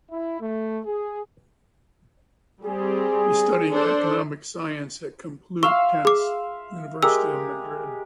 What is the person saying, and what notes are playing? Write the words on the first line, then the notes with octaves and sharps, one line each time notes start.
He studied Economic Science at Complutense University of Madrid.
E4
A3
G#4
G3 C4 G#4
D4 A4 C5
E5 F5 C6 C#6
G#4 D6
G#3 G4 A#4 E6